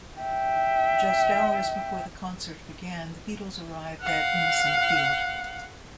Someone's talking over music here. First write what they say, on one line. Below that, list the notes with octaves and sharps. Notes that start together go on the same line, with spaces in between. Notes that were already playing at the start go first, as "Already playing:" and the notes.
Just hours before the concert began, the Beatles arrived at Imeson Field.
E5 G5
F5 F#5